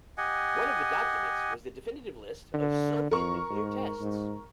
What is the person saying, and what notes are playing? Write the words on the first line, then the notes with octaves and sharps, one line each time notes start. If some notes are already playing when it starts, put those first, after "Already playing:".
One of the documents was the definitive list of Soviet nuclear tests.
G4 D#5 F#5 G#5
D3
F2 A#4 C#6
G#2
G#2